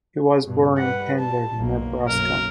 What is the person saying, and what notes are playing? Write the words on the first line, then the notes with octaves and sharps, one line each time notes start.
He was born in Pender, Nebraska.
G2 B2
G3 B4 F#5
A5
F#1 B1 A#3
B1 F#2 A#4